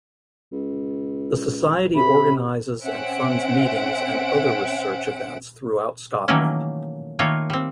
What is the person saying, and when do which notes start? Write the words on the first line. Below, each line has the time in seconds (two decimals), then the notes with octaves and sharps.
The Society organises and funds meetings and other research events throughout Scotland.
0.52 C#2
1.96 C3 B5
2.82 C4 C#4 E5 F#5 D7
6.28 D#3 E3 F#3 A3 A#3 C#4
7.19 D#3 A3 A#3 F4 C#5
7.50 G3 C4